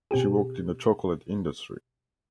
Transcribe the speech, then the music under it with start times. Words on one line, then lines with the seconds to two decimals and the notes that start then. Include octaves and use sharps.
She worked in the chocolate industry.
0.11 B2 C4 G4 G#4